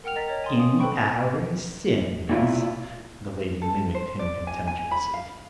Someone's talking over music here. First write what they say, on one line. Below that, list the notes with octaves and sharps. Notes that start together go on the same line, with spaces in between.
"In our sins," the lady mimicked him contemptuously.
A#4 F#5 G5 F6 F7
A#4 D#5 A#5 A6 B6
C#5
G#5 C6 D#6
F5 D#6
A4 B4 C5 G5 B5 C#6
A#2 E4 F4
A4
C5
D5
G#5
G#5
B5
F5